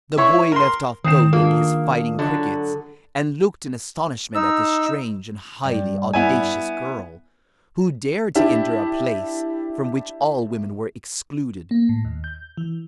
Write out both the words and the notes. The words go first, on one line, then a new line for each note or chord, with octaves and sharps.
The boy left off goading his fighting crickets, and looked in astonishment at this strange and highly audacious girl, who dared to enter a place from which all women were excluded.
E4 C#5 C#6
A#4 C6
D#3 C4 D#6 C7 E7
A#3 D4 F4 G#4
D3 F#3
D#4 E6
G2
B3 E4 G#5
D4 E4 G4
A#3
A2
D#2
G6
E3